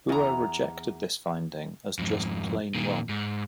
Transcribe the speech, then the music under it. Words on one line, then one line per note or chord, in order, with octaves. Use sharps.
Bua rejected this finding as just plain wrong.
E2 A#5
F2 G#2
A#2 D#3
G#2